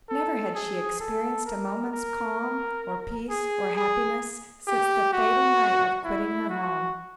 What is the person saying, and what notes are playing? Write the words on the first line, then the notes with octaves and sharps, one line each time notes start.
Never had she experienced a moment's calm, or peace, or happiness, since the fatal night of quitting her home.
A4
G#4
A4
A#4
A#4
G#4
G#4
G4
F#4
E4
F#4